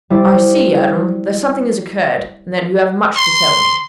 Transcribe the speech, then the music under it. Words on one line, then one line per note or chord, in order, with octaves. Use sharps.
"I see, Adam, that something has occurred, and that you have much to tell me."
G3 E4 C5 D5
C6